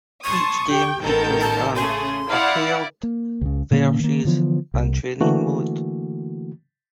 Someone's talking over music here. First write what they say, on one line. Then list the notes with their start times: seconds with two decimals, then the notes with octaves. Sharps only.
Each game features an "Arcade", "Versus" and "Training" mode.
0.24 A5 C6 C#6 D#6
0.68 G4 G5
1.03 A1 D#3 B3 A4 A#4 G6
1.41 A5
1.76 C#3 A3 G#4 C6
2.27 E4 D5 F5 F#5
3.03 A#3
3.41 C#2 C#3
3.71 A#2 D3 A#3 C#4
4.00 D#3 A#3
4.25 D3 E3 F3 B3
4.74 C2
5.21 D3 E3 A3 A#3 F#4